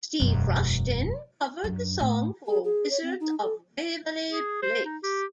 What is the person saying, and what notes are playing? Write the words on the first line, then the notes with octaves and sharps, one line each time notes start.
Steve Rushton covered the song for "Wizards of Waverly Place".
E1 F#2
F#2 D4
A2
G#4
G#4
C#5
C4
D#4
A4
G#4
C5
D#4
G4